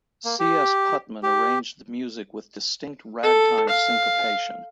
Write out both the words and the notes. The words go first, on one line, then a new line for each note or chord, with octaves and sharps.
C. S. Putman arranged the music with distinct ragtime syncopation.
A#3
G4
G4
A4
F5